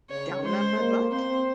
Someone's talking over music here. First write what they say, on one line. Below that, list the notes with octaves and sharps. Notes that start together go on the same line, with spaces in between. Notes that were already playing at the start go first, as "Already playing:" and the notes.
down on my butt.
C#3 C#5
G#3 C5
A#3
C4 C5